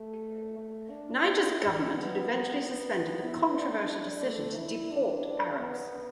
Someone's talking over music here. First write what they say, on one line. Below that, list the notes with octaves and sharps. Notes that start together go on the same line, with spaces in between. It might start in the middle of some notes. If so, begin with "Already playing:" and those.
Niger's government had eventually suspended the controversial decision to deport Arabs.
Already playing: A3
A3
D4
E4
D4
B3
E4
D4
A3
E4
D4
B3